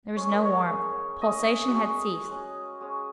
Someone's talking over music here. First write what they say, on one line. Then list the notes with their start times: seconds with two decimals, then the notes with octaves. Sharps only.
There was no warmth. Pulsation had ceased.
0.16 G#3 C#4 C#5
0.31 A#4
0.45 C#5
0.70 G#3 C#4
1.22 G#3 C#4 D#5
1.68 F#4
1.74 G#3 C#4 G#4
2.28 G#3 C#4
2.81 G#3 C#4